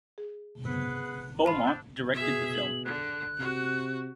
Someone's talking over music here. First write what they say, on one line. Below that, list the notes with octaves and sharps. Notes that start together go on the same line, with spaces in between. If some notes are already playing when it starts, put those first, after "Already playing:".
Beaumont directed the film.
G#4
C3 B3 G#4 B4 F#5
F4 C5 A5 B5
D4 E6 G6
B2 G#4 E5
F#7
D3 F#6
C3 F#4